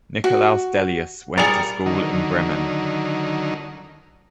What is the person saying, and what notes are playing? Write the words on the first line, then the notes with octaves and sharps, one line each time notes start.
Nikolaus Delius went to school in Bremen.
F#4
G3 G#4 A#4 A6 C#7 F7
D3 D#3 F#3 D#4